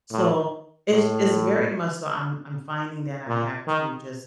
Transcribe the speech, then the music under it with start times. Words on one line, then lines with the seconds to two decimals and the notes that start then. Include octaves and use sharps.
so it's it's very much so, I'm-I'm finding that I have to just,
0.11 A2
0.91 A2
3.27 A#2
3.67 D#3